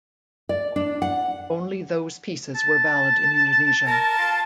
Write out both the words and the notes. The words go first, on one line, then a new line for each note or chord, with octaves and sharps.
Only those pieces were valid in Indonesia.
D5
D4
F#5
A5
A#4 A5
F4